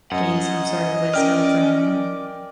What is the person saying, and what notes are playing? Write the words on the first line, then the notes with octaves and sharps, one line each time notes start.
gain some sort of wisdom from 'em.
F#2 D#5 F#5
C#4 A#4 D5 G5 F6